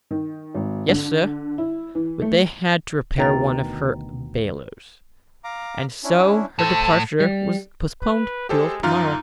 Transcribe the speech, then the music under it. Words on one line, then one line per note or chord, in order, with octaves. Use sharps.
"Yes, sir; but they had to repair one of her boilers, and so her departure was postponed till to-morrow."
D#3
G#1
D3
E4
E3
A3
D2 B2 D#3 G5 A#5 A6
F5 A#5 D6
C#4 D4 E4
A2 A4 C5 A5
G3
B4
G#3 G4 A4 C5
F#2 A#3 D#4 F4 F6